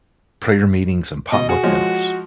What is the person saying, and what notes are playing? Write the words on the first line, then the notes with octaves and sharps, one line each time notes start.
prayer meetings and potluck dinners.
B2 D#5
F#4 G#4
F3 G#3 C#5